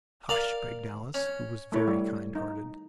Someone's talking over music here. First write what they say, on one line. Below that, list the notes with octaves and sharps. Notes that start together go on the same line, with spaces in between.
"Hush!" begged Alice, who was very kind-hearted.
A#4 D5 F5
C#4
A3 E4 C#5
G3
D#4